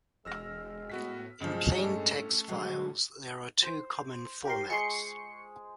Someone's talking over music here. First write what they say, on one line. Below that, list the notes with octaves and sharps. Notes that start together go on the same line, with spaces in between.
In plaintext files, there are two common formats.
E1 G#3 E6 F6 A#6
A2 B3 F#4 B6
B1 G2 C#3 F3 G#3
A2 A3 C#4 A4
D#2 B2 D3 F#3 G#3
C5
G4 A#4 C6
G#3 C6 C#6 C#7